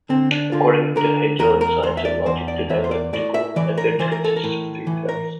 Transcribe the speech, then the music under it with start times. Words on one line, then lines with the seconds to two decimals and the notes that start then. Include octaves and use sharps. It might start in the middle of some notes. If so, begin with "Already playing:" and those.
According to Hegel in "Science of Logic", the dialectical methods consists of three steps.
0.09 D3 C4
0.31 D4
0.52 D3 F4
0.96 D3 A#4
1.39 E2 A#4
1.61 A#4
1.83 E2 C5
1.97 E5
2.05 D5
2.26 E2 C5
2.48 D5
2.70 E2 E5
2.84 C5
2.91 D5
3.13 A2 D5
3.34 E5
3.56 E3 D5
3.78 A#4
3.99 E3 C5
4.12 A#4
4.24 A4
4.36 A#4
4.44 A2
4.87 E3
5.09 A#4